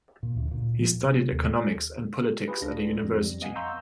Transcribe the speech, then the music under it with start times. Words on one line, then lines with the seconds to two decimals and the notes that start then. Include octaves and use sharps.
He studied economics and politics at a university.
0.23 A#2
0.36 D2
0.51 A#2
0.79 F3
1.03 C3
1.32 D#2
2.48 F4 G4 G#4 B4
2.62 C#2 D4 A#6
3.03 F2 G3
3.41 B3 D#5 F5 F#5 G#5
3.56 A#5 C6 C#6 E6 G6